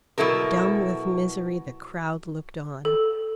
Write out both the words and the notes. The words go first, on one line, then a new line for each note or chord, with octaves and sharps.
Dumb with misery the crowd looked on.
B2 F#3 E4 A4 A#4
A4